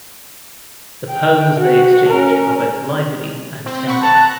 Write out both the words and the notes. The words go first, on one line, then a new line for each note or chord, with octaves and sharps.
The poems they exchanged are both lively and tender.
G5
F#4
C#4 A#4
C4
F#5 B5 C#6
A5 A#5 F#6